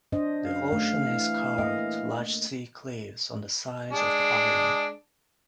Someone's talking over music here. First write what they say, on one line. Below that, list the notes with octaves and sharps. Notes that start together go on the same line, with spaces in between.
The ocean has carved large sea cliffs on the sides of the island.
D4 C5 D#5
F#2 F5
A3
E3
A#3 D#5
G#3 D4